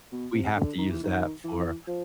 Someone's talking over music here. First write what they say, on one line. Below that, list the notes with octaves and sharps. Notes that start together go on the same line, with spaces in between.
we have to use that for,
B2
C3
D3
D#3
E3
D#3
E3
F3